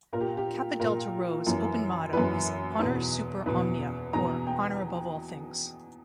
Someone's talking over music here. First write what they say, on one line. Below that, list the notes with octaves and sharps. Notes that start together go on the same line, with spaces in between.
Kappa Delta Rho's open motto is "Honor Super Omnia", or "Honor Above All Things".
A#2 A#4
G4
G4
A#2 A#4
F#2 E3
F#2 E3 B4
E2 B2
E2 B2 B4
E2 B2 A#5
G5